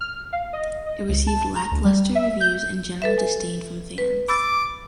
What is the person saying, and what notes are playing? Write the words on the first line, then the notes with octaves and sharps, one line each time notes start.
It received lackluster reviews and general disdain from fans.
F6
F5
D#5
D#5
C#2
A5
A#5
D2
G3
E5
G6
A4 B4 E5
G#5
B4
B5 D6 E6 A6